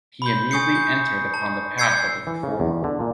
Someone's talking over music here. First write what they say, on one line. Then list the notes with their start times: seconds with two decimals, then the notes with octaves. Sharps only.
He immediately entered upon the path of the reformer.
0.22 B5 C6 G6
0.51 G#5 C#6 D#6 G6 C7 C#7
0.75 G6
1.34 A5
1.78 E6 G6 G#6 C7 C#7
2.27 E3
2.43 C#3
2.60 E2
2.84 D3
3.00 A#2